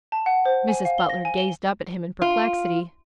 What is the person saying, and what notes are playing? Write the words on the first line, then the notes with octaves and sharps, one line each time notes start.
Mrs. Butler gazed up at him in perplexity.
A5
F#5
C5
G#5
F5
G7
A#6
G#5
G7
F4